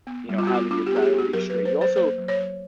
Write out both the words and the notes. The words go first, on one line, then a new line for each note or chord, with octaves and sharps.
you know, having your priorities straight. You also
B3
G3
F4
B3 F#4
F4
D4 F4
G4
B3 G#4
G4
B3
F#4
F#3 A#4
B4
F#3
C5
F#3
C5
A#3 C5
F#3
C#5
F#3